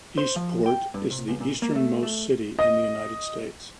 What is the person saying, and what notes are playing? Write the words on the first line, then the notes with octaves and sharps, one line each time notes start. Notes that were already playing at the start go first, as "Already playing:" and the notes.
Eastport is the easternmost city in the United States.
C5
F3
G5
G2
C3
C#2
A#2
A#3
A3
A3
D#5